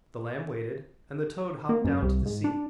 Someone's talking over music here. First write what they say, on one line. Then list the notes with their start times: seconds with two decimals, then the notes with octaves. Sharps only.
The lamb waited and the toad hopped down to the sea.
1.69 A#3
1.84 F#2
2.03 C2
2.26 G#2
2.44 D4